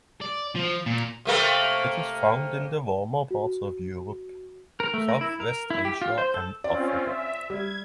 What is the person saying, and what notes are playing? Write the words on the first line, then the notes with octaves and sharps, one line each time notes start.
It is found in the warmer parts of Europe, southwest Asia and Africa.
D5
F3
A#2
C3 A3 A#3
F#4
A#4
A3
A#4
E4
A#4
E4
G4
F4
C5
A4
C4 C#4 F4 D5
E5
G3 G#6